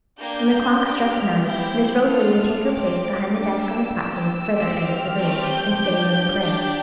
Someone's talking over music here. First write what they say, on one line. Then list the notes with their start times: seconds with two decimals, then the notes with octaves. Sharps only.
When the clock struck nine Miss Rosalie would take her place behind the desk on the platform at the further end of the room, and say a little prayer.
0.20 A#3 D4 G4 G6
0.82 D4 G4
1.14 F6
1.44 C4 E4 G4 G6
2.06 D4 F4 A4 F6
2.68 C4 G4 D6
3.31 D4 G4
3.61 E6
3.92 C4 G4
4.23 E6
4.55 C4 G4
4.86 F6
5.17 A3 C4 G4
5.48 G6
5.79 D4 G4
6.41 D4 G4